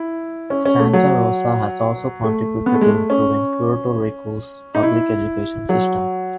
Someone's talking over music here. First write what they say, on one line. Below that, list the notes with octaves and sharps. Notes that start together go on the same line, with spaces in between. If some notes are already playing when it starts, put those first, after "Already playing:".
Santa Rosa has also contributed to improving Puerto Rico's public education system.
Already playing: E4
C#4
C#4
A3
F#3
A3
B3
A3
G#3
A3
C#4
D#4
E4
F#3